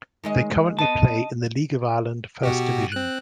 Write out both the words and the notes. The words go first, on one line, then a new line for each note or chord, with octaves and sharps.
They currently play in the League of Ireland First Division.
D#3 G#3 D#5
B3 D#5 A5
B2 F#4 G4
C4 F#6